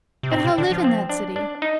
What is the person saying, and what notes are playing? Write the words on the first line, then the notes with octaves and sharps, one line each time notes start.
But how live in that city?
C3
A#2 C4
C3
D3 D4
F3
C4
D4
D4
D#4